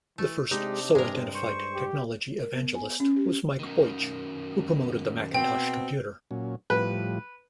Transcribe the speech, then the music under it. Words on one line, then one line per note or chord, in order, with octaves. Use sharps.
The first so-identified technology evangelist was Mike Boich - who promoted the Macintosh computer.
E3 A3
C3 G#3 D4 D#4 G4
G2 G#3 A#4
C5 C#6
G4
A#4
B3
G#5
C#4
G4
F#2 D#3
B2 C4 G5
A#2 F#3 C#4
A2 F3 G3 B4